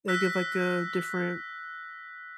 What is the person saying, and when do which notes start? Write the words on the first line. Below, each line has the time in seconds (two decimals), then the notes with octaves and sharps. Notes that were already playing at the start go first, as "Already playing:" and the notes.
it'll give, like, a different,
0.08 E6 F#6 A#6 B6